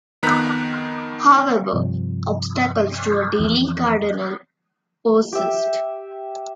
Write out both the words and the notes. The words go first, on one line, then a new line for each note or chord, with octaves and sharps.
However, obstacles to a daily "Cardinal" persist.
F2 D#3 B3 A#5 F#6 B6
G2 C3 F3
F2 E3
G4 E5